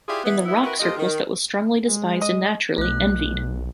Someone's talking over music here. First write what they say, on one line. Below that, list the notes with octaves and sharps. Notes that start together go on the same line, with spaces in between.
In the "rock circles" that was strongly despised and naturally, envied.
E4 F4 G4 G#4 D5
E3 B3
D2 E3 B3 E4
C4 E4 F#4 A#4 B4
F2 G#3 F4 G4 D#5
D#3
G#3
D#5
B1 A3 F#6